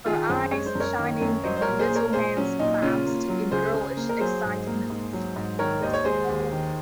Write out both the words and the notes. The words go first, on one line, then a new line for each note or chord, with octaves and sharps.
Her eyes shining and her little hands clasped in girlish excitement.
D#3 F4 G#4
F#2 G#4 C5
G#3 C#5
C5
F#2 A#4 C#5
D#3
F#2
F#3 C5 D#5
C5
A#4 C#5
A#2
G#4 C5
A#3
A#4 C#5
A#2 G#4 C5
F#3 C#4
A#2 D#4
C#3 C#4 F4
A#3
F#3
C#2 G#4 C5
C#3
A#3
A#4
F#3 G#4 C5
G#2
A#3
G#2
F#3
G#2
D#3 A#4 C#5
D#2 C5 D#5
C#5
G#3 G#4 C5
D#2
D#3